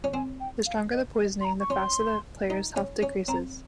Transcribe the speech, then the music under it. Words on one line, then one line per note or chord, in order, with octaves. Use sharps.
The stronger the poisoning, the faster the player's health decreases.
C#4
C4 G#5
G5
F5
D#5
D#5
C6
A#5
C#6
C#4 C6
D#4
C#4
C#4
C4 A#5